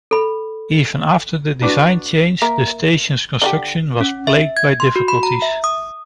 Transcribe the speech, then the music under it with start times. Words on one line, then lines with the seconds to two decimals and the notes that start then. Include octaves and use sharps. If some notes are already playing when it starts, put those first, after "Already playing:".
Even after the design change, the station's construction was plagued by difficulties.
0.11 A4 B5
1.62 D4 F#4 B4 D6
2.42 A#3 A#4 E5
3.42 D3 F4 G4
4.01 C#4
4.27 E5
4.57 G#6
4.80 C6
4.96 F#4
5.08 B5
5.23 A#5
5.42 E5
5.64 D#6